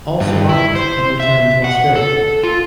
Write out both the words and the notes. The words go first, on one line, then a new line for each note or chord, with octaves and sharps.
All survived and returned to Australia.
G2
E4
C5
E5
F#5
A4
F4